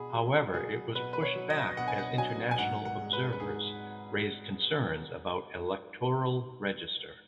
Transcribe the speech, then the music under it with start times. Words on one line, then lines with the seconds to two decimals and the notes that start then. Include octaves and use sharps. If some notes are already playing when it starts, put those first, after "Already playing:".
However it was pushed back as international observers raised concerns about electoral register.
Already playing: B2 G#4 B5
0.13 F#3
0.54 F#3 G#4
0.95 B2 B4
1.13 B4
1.22 C#5
1.36 F#3
1.50 D#5
1.77 B2 F#5
1.88 G#5
1.98 F#5
2.18 F#3 G#5
2.51 G#5
2.58 G#2 F#5
2.85 F#5
3.00 G#3
3.13 B4
3.32 B4
3.40 G#2 G#4